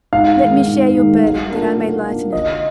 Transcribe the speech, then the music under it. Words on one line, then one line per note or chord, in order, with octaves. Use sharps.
Let me share your burden that I may lighten it.
G#2 F5
D#3 G#3
G#2
D#3 G#3
F#3
A#3 D4 F4
F#3
A#3 D4 F4
D3 D#5